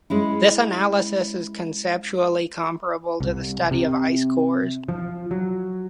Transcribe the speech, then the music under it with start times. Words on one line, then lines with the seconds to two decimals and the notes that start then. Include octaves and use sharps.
This analysis is conceptually comparable to the study of ice cores.
0.10 G#3 C#4 E4
3.20 C2
3.71 C3
4.89 F3
5.31 F#3